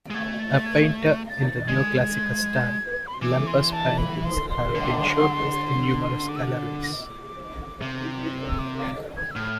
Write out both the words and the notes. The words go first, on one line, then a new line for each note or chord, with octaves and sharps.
A painter in the neoclassical style, Lemper's paintings have been showcased in numerous galleries.
G#3
A3 G#6
A6
G#6
A6
G#3 G#6
B5
C6
E3 D6
C6
A5
B5
C6
C6
D3
D6
E6
D6
C3
E6
D6
D6
G#6
E6
A2 F6